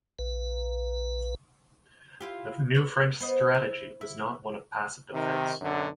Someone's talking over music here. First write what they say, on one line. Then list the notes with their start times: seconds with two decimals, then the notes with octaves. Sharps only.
The new French strategy was not one of passive defence.
0.19 A#1 B4
2.21 E4 F4 G4
2.75 B4 C#5
3.20 B3 C5 D#5
3.55 E4
4.01 E4
5.13 C3 D#3
5.61 B1 F#2 D3